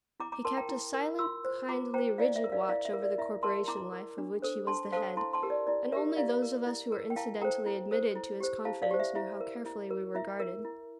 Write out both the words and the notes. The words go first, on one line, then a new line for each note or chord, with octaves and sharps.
He kept a silent, kindly, rigid watch over the corporation-life of which he was the head; and only those of us who were incidentally admitted to his confidence knew how carefully we were guarded.
E4 A#5 D6
A#5 D6
A#4 A5 C6
G5 A#5
E4
A#4
F4 C6 E6
C5
F4 A#5 D6
C5 G5 A#5
E4 D5 F5
E5
A#4
D5 F5
E4 D5 F5
E5
A#4
D5
E4 E5
A#4 A5 C6
E4 A#5 D6
A#4
D4
A4 C5
D4 A5 C6
A4 C5 F5 A5
E4 A5 C6
A5 C6
G4 A#4
D5
E4 D5
G4 A#4 E5
E4 D5 F5
A#4
E4
A#4
G5
E4 F5 A5
A4 C5 G5 A#5
E4
A4 C5
E4
G4 C5
E4 F5 A5
D5 F5
G4 C5
E5
E4 E5
A#4
E4
A#4
E4 E5
A#4
E4